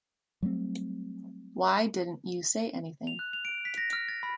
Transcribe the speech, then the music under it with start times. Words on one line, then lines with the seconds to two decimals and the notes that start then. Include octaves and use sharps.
Why didn’t you say anything?
0.43 F#3 G3 A3 C4
3.07 F7
3.19 F#6
3.33 F7
3.45 D7
3.65 B6
3.78 A#6
3.93 F6
4.09 A6
4.23 B5